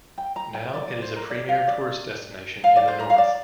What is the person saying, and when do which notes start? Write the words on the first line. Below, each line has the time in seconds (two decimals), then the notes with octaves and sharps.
Now, it is a premiere tourist destination in the north.
0.18 G5
0.36 A#5
0.55 G5
0.73 D5
0.88 D5
1.02 C5
1.16 A#4
1.30 D5
1.49 F5
1.67 D5
2.64 F5
2.76 D5
2.88 C5
3.00 A#4
3.10 F5
3.18 D5